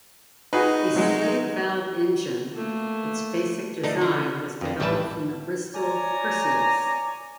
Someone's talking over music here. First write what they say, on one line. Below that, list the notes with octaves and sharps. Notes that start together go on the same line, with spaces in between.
A sleeve valve engine, its basic design was developed from the Bristol Perseus.
D#4 F#4 G#4 B4
C3 F#3 G#3
A3 A#3
D3 A3 D4 D#4
D3
F2 D3
A1 G3 E4 B4 E5 A5
C#5 D5 G#5 A#5